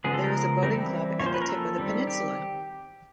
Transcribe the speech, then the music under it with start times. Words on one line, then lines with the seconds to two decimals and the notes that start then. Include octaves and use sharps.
There is a boating club at the tip of the peninsula.
0.04 C#3 F3 G#3 B3 G#4
0.14 A4
0.24 A#4
0.63 E3 G3 C4 A#4
0.73 A4
1.19 F3 A#3 C#4 C#5
1.26 C5
1.34 B4
1.42 A#4
1.49 A4
1.78 D#3 G3 C4
2.07 G4